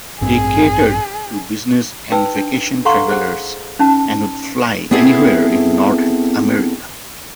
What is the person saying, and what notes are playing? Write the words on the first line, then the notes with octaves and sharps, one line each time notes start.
They catered to business and vacation travellers and would fly anywhere in North America.
A1 G2 C4 G#4
D#4 B4 G5 E6
D4
A4 F5 F#5 A#5 C6 C#6
G#4 C5 F#5
C#4 D#4 A5
B3 C4 E4 G#4 A4